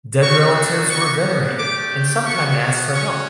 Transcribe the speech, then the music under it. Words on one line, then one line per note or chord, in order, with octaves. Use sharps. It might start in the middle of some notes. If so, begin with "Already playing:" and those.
Dead relatives were venerated and sometimes asked for help.
A3 D4 F#4 C#6
G3 B3 F#4 C#6
A3 D4 G4 D6
B3 F#4 C#6
C#4 F#4 C#6